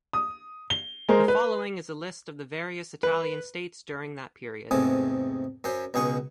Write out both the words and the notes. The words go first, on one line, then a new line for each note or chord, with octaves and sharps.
The following is a list of the various Italian states during that period.
D#6
G7
G#3 A#4 C5
B4
B4
E2 G#2 C3 A3 G#5 D#6
F#2 C#4 C5
C#2 B2 G#4 C#6 D#6